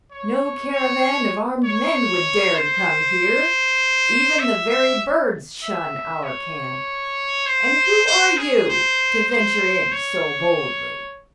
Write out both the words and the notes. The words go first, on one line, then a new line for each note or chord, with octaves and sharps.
'No caravan of armed men would dare to come here, even the very birds shun our camp, and who are you to venture in so boldly?'
C#5
C#5
C#5
C5
E5
E5
E5
C#5
C5
C5
G#4
C5
C5
C#5